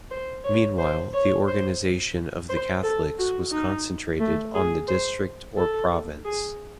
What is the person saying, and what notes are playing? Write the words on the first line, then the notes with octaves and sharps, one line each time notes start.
Meanwhile, the organization of the Catholics was concentrated on the district or province.
C5
C#5
C5
C#5
C5
C5
A4
F#4
D#4
A3
G#4
C5
A4
G#4